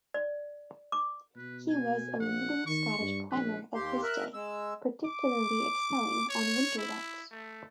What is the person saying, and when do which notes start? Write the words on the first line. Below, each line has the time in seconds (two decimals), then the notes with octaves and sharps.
He was a leading Scottish climber of his day, particularly excelling on winter routes.
0.14 D5
0.92 D6
1.36 B2 B4
1.69 G#5
2.20 A#1 F#5
2.66 D#3 C#6
3.00 G2
3.31 A#1 B4
3.75 D#2 G4 C6
4.03 A#4 E5 F#6
4.34 G#3 E6
5.06 D6
6.29 C#5
6.78 E4
7.31 A3